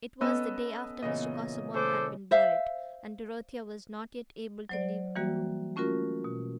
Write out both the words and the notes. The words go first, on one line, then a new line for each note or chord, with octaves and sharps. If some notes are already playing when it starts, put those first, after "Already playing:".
It was the day after Mr. Casaubon had been buried, and Dorothea was not yet able to leave her room.
B3 C#4 A4 B4 D#5 E6
A#2 C#3 E3 D#5
C#3 A4 C5 D6
C5 E5 F5
F#3 C5 D5
E3 G3 A#3 F#4
A3 C#4 F4 F#4 A#4
B2